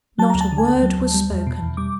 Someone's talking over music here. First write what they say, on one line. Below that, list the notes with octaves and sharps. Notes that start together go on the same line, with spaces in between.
Not a word was spoken.
F#3 A5
D2 A#5
A5
D3
G#5
D2 A5
F#3
D2
G3
E2
B2
E2
G3 D6